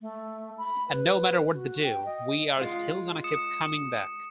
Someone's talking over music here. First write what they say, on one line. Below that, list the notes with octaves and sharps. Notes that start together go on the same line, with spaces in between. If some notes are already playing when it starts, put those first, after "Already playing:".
And no matter what they do, we're still gonna keep coming back.
A3
B5
B4
F#4
G5
D#5
G#3 F4
D#6 C#7 E7